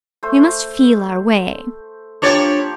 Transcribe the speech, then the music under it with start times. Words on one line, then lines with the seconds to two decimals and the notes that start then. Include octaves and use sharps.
We must feel our way.
0.23 A3 C5
2.22 F3 A#3 D4 G4 C#5 D5